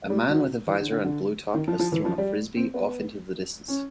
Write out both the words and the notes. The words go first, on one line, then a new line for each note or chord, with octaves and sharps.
A man with a visor and blue top has thrown a Frisbee off into the distance.
G3
F#3
E3
D3
D3
D3
D#3
F3
F3
E3
F3
G3
C4
B3
C#4